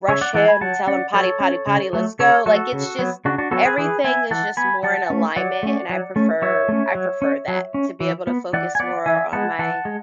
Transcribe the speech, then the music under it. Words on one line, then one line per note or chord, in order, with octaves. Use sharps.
rush him, tell him, "Potty, potty, potty, let's go." Like, it's just, everything is just more in alignment and I prefer I prefer that, to be able to focus more on my
C#3 C#5 E5
D5 F#5
E3 G#3 F#5 A5
G#5 B5
F#3 F#5 A5
C#4 D5 F#5
F#3 A4 C#5
C#4
C#3
F#3 A3
C#3 A4 C#5
F#3 A3 F#4 A4
C#3
F#3 B3
C#3 D4 F#4
D4 F#4
F#3 B3 F#4 A4
G#4 B4
E3 G#4 B4
B3 E5 G#5
E3 F#5 A5
B3 G#5 B5
F#3 F#5 A5
A3 C#4
F#3 D5 F#5
A3 C#4
F#3
A3 C#4
F#3 C#5 E5
A3 C#4
F#3
C#4
F#3
C#4
E3
B3
E3 D5 F#5
G#5
B3 D5 F#5
E3 E5 G#5
G#3 B3 F#5 A5
E3 F#5 A5
G#3